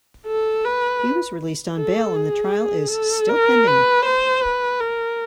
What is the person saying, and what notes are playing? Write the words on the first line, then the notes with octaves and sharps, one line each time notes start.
He was released on bail and the trial is still pending.
A4
B4
A4
G#4
A4
A#4
B4
C5
B4
A#4